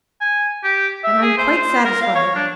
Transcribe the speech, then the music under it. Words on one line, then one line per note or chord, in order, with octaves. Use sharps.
And I'm quite satisfied.
G#5
G4
E5
G#4
C5
C5
A#4
F5
C#5
D4